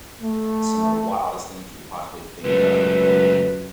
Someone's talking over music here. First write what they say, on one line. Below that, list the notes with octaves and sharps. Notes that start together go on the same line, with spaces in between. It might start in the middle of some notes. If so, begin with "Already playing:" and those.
some of the wildest things you could possibly think of,
A3
C#2 F#2 A3 B4